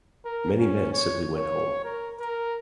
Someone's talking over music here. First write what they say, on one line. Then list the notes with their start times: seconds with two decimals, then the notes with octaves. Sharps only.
Many men simply went home.
0.25 A#4
0.58 C#4
0.93 C#5
1.37 C#5
1.84 A#4
2.20 A#4